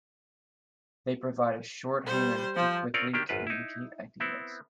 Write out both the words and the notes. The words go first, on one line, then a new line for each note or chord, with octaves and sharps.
They provide a shorthand to quickly communicate ideas.
G3 C5
F3 C5
C4 C#4 F4 A#4 C#5 D5
D#3 A#3 D4 G4
G#1 F#2 F4 B4
D#4 E4
B3 C4 E4